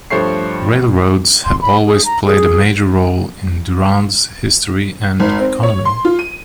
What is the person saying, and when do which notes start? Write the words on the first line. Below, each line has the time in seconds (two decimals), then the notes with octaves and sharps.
Railroads have always played a major role in Durand's history and economy.
0.10 G2 F3 A3 C5 C#5 C7
1.45 C6
1.61 B5
1.86 G#4
2.05 A#5
2.26 G#4
5.20 G#1
5.39 C4
5.63 C#5
5.85 C6
6.05 F4
6.19 D#7